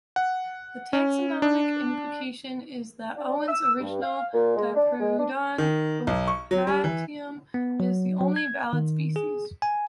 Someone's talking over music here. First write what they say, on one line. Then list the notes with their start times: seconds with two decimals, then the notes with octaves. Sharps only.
The taxonomic implication is that Owen's original "Diprotodon optatum" is the only valid species.
0.16 F#5
0.93 C#4
1.42 D4
3.17 D4
3.47 E6
3.81 G2
4.01 F5
4.34 A#2
4.56 G#3
4.74 D4
5.00 G#3
5.18 D4
5.58 D#3
6.07 B1
6.28 C#6
6.51 F#3
6.67 G3
6.84 E3
7.54 B3
7.80 F#3
8.21 F#3
8.36 G#6
8.73 D#3
9.16 G#4
9.62 G#5